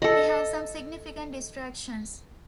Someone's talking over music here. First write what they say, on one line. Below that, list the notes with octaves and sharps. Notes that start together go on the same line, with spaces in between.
He had some significant distractions.
A4 D#5